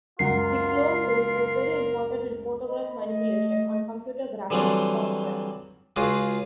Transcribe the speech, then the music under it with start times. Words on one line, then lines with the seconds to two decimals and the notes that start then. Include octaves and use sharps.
The "Clone" tool is very important in photograph manipulation on computer graphics software.
0.19 C#2 F#2 F4 A#4 F#5 C7
2.68 D#5 B5
3.05 A3 D#5
4.50 D3 E3 F#3 G3 C4 D4
5.96 C#2 C#3 F4 F#4 G#4 D6